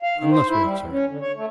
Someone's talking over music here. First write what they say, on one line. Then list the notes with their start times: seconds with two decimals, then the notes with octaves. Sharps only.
"Unless what, sir?"
0.03 F5
0.18 D#3
0.31 C5
0.49 E4
0.63 G3
0.79 E2
0.91 C#4
1.09 D3
1.21 C#5
1.36 A3